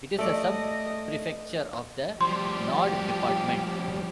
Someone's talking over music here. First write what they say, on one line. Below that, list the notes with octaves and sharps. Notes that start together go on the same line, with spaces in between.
It is a sub-prefecture of the Nord department.
A3 D5 D#5
F3 G3 G4 C6